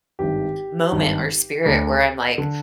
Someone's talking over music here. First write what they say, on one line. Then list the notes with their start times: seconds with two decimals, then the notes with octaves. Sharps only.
moment, or spirit, where I'm like,
0.19 G#1 G2 D#3 G4
0.92 G#1 G2 D#3
1.65 D2 D3
2.38 D3